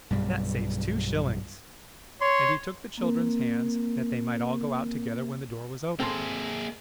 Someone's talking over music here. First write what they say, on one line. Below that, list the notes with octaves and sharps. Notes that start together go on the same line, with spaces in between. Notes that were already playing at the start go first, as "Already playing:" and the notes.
"That saves two shillings!" And he took the children's hands, that they might all go out together when the door was opened.
B1 G2 G3
C#5 C6
A#3 C4 A#4
A#3 C4 G#4 A4 C6